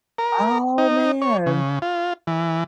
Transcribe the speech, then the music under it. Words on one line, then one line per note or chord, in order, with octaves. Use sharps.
Oh, man.
A#4
D#4
C#5
C#3
F4
E3